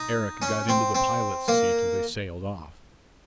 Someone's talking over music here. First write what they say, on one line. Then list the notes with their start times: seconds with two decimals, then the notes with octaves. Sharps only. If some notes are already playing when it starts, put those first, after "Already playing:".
Eric got into the pilot's seat and they sailed off.
Already playing: D#4
0.42 C#4
0.69 C4
0.95 C4
1.48 A#3